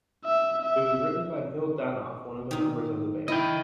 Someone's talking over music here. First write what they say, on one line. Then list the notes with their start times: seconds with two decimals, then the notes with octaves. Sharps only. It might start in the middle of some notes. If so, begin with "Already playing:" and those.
It was written by Bill Danoff, one of the members of the band.
0.24 E5
0.62 E5
2.51 D#3 D#4
3.28 E4 D#5 G5